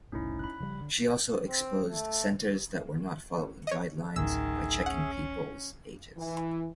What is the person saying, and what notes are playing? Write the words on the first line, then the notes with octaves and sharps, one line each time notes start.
She also exposed centres that were not following guidelines by checking peoples ages.
F#1 C2 A2 C#4 D#4 E4
B5 F#6
C#3 F3 G3
D3
C4
A3
C#5 D#5
D1 A1 D#3 G#4 E5 E6
C#4 F#5
E3